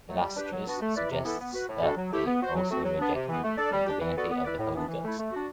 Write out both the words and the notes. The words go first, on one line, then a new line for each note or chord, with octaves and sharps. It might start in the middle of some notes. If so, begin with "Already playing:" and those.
Philastrius suggests that they also rejected the divinity of the Holy Ghost.
F#3 A3
G3
D4 G4 B4
F#3
B3 D4 F#4
A3
E4 B4 D5
C3
E3 B3 E4 A4
B3
F#4 B4
A2
G3 D4 F#4 A4
F#3
A3 E4 G4
B3
F#4 C5
F#3
A3 C4 F#4
F#3
B3 D4
C3
E3 B3
A3
D4 A4 D5
G3
D4 G4
E3
B3 F#4 A4 D5
B3
E4 B4 D5
A2
E3 B3 D4
E3
A3 E4
A3
D4 F#4